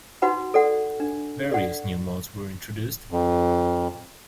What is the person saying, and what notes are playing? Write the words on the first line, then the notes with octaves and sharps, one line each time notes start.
Various new modes were introduced.
D#4 F#4 B4 F#5 B5
A4 D5 F#5
D4
A4 D5 F#5
F2